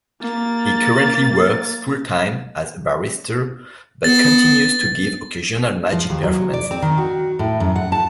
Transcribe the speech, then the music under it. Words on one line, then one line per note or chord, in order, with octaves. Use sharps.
He currently works full-time as a barrister, but continues to give occasional magic performances.
A#3 A6
B3 A6
F3
D#2
F#3
D5
C4
D#3
F#4
A2
F#2
F#5
A5